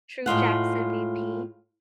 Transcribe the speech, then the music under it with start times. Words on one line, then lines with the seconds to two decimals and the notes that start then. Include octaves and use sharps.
True Jackson VP.
0.26 A2 G#3 F4 F#5